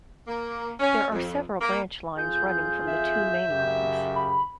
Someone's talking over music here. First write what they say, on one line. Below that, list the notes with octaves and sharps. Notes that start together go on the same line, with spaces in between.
There are several branch lines running from the two main lines.
A#3
C#4
F2
A#3
F2 F4 G#4 G6
E5
F#2 C#3 G4
B5